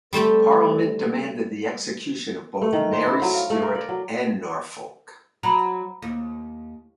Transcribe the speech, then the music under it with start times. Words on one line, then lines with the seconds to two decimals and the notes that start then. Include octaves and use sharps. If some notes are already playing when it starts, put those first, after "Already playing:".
Parliament demanded the execution of both Mary Stuart and Norfolk.
0.13 G3 A3 C4 G4
2.62 A3
2.73 D#3
2.93 C5
3.08 E4
3.22 F#3
3.34 F5
3.50 A3
3.62 A#4
3.75 D5
3.89 F#3
5.43 F#3 A#5 B5 F#7
6.02 D#2